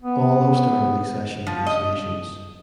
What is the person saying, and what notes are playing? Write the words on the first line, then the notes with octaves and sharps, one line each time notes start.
All have started accession negotiations.
B3
F3
D#5